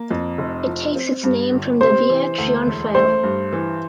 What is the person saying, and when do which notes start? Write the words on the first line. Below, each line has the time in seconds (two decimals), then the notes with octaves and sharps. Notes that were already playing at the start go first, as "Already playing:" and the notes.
It takes its name from the Via Trionfale.
Already playing: A#3
0.11 F2
0.38 F1
0.67 F3
0.96 C4
1.23 G2
1.53 G1
1.81 C3 C5
2.10 E3
2.38 D2
2.67 E1
2.95 A3 C5
3.23 G2
3.53 E3